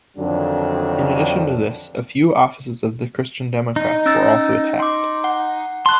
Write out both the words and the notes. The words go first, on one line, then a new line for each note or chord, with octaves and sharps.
In addition to this, a few offices of the Christian Democrats were also attacekd.
F2 D3 D#3 F#3 D4
D#4
C#4 E6 A6
C6 D6
F#5
A5 C6 F#6